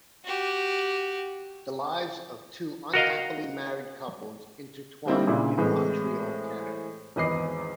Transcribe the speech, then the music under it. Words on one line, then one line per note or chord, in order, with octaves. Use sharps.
The lives of two unhappily married couples intertwine in Montreal, Canada.
F#4 G4
F#4 A#4 D#5 F5
D3 G3 A#3 C4 D#4 E4
A#2 C#3 D4 E4
A2 E3 G#3 C4
G#1 E2 B4 D#5 D6 C7